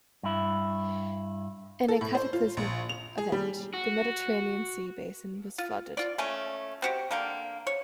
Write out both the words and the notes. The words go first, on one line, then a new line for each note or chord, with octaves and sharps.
In a cataclysmic event, the Mediterranean sea basin was flooded.
G2 E4
A4
A2
C5
F4
A#1
F7
G#4
G3
F#4
F4
F4 D5
A3 A#3 C#4 G#5
C4 F#4 G4
D3 A#3 G5
C#5